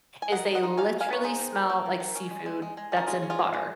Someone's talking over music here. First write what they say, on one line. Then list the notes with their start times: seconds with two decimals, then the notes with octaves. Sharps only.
is they literally smell like seafood that's in butter.
0.22 G#5
0.32 D#3 D#5 F#5
0.47 D#3
0.55 D#5 F#5
0.63 D#4
0.77 D#3 F5 G#5
0.93 D#3
1.00 F5 G#5
1.09 D#3 C#5
1.24 D#4 G#4 C5
1.40 D#3
1.55 A#3
1.70 A#3
1.86 D#3
2.00 D#3
2.15 C#4
2.31 G#3
2.46 G#3
2.62 G#3
2.77 G#3
2.92 C#4 A#4
3.07 G#3 F4 G#4
3.23 C#4
3.30 F4 G#4
3.39 G#3
3.54 G#3